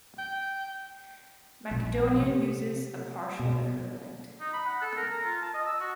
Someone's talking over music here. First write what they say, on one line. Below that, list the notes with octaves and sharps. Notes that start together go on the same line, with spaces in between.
Macedonian uses as a partial equivalent.
G5
A#1
C3
B2
D#4
B5
F#5
A4
A#4
A#5
F4
A5
D#5
E6
F#4